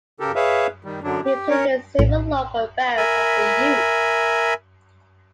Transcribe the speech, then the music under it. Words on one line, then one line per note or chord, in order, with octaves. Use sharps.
He played in several local bands as a youth.
C#3 G4 A4 A#4
G#4 B4 C#5 E5 F5
D#3 G3
F#2 D3 F#3 D4
G4
C#4 A#4 C#5
A#1 A2
A#4 E5 G#5 B5